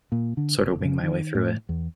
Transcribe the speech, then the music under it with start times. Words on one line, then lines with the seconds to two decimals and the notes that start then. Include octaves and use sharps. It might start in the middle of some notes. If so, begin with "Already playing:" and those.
sort of wing my way through it.
0.12 A#2
0.37 D3
0.58 F#1
0.85 C#3
1.03 D#3
1.35 A2
1.69 E2